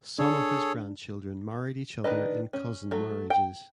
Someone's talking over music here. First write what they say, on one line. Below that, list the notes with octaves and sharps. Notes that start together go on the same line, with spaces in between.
Some of his grandchildren married each other in cousin marriages.
D4 G#4 A4 C#5
D#3 D4 B4 D#5
C#4
F#3 A3
G5